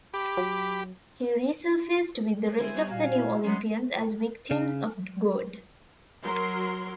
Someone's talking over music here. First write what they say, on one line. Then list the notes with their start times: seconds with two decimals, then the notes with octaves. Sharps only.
He resurfaced with the rest of the New Olympians as victims of Gog.
0.14 G4 B5 D6
0.37 F#3
2.59 D3 G3 G#3 C4 E4 C5 G#5
2.75 G3 B3 D4 C#5
2.90 A#2 F#4 F5 G#5
3.14 E4
3.45 F#2 F#3 G#3 B3 C#4 C6
4.51 C#3
6.23 F#3 A#4 C6